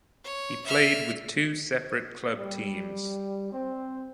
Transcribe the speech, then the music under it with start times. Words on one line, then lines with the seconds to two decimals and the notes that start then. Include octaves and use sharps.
He played with two separate club teams.
0.24 C#5
0.66 E5 F6
2.37 G3
3.52 C4